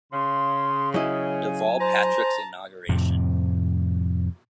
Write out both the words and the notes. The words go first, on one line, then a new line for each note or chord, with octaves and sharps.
Deval Patrick's inauguration.
C#3 C6
F#3 E4 D#5 G#5
C5 A5 A#5
F2 A2 C3